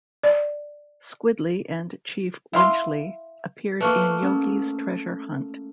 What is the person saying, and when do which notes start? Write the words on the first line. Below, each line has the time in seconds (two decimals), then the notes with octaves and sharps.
Squiddly and Chief Winchley appeared in "Yogi's Treasure Hunt".
0.24 D5
2.53 E4 F5 C6
3.81 A3 A#3 B4 C#6 F#6
4.23 C#4